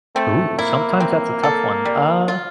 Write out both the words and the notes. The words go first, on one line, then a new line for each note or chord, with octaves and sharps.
Ooh, sometimes that's a tough one, uh,
A3 C4
A#3 E4
C4
A4
G3
F4